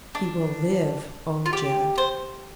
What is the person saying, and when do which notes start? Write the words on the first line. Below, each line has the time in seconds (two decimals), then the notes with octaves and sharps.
"He will live, O Jed."
0.15 D4
1.46 F4
1.53 G4
1.98 C5